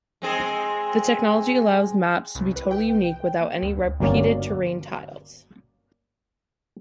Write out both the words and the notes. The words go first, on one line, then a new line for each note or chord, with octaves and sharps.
The technology allows maps to be totally unique, without any repeated terrain tiles.
G#3 C4 G#4
C2
B4
G5
A#3
D2
G1 F#3 A#3 C#4 D5